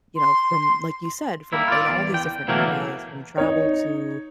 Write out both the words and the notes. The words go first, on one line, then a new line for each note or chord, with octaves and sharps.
you know, from like you said, from in all these different areas, from travel to,
C6
G3 A#3 E4
F4 D5
E2
G5
B2 E3 F#3 A3 A#3
D#4 C#5